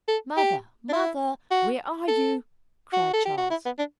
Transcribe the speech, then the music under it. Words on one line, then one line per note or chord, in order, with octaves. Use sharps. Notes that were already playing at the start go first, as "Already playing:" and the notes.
"Mother! mother! where are you?" cried Charles.
A4
G4
D4
E4
F#4
A4
F#4
A4
G4
F#4
E4
B3
D4